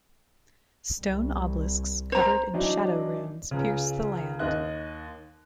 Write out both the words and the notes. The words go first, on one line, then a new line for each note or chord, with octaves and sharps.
Stone obelisks covered in Shadow Runes pierce the land.
C2
C5 A#5
E3 F#3 D4 D#4
C#2 C#3
D#2 D#3 D#5 F#6